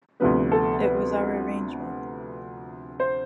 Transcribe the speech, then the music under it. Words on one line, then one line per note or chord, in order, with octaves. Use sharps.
It was our arrangement.
D2 C3 F3 B3 B4
A4
B4
C5